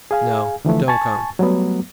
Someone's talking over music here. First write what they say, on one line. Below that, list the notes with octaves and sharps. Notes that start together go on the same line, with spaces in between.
"No. Don't come!"
G#4 F5 G#5
D3 E3 F3 A3
G#5 A5 C#6 A6
F#3 G3 A3 B3